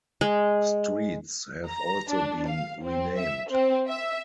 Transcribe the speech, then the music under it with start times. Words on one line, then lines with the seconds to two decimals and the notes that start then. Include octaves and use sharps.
Streets have also been renamed.
0.21 G#3
1.67 A#5
2.11 D4
2.48 F5
2.84 C4
3.19 E5
3.51 C4
3.88 E5